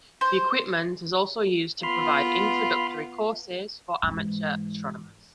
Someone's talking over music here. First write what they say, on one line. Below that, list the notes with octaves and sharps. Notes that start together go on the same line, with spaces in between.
The equipment is also used to provide introductory courses for amateur astronomers.
C5
B3 F4 B5 C6 F6
G#2 E3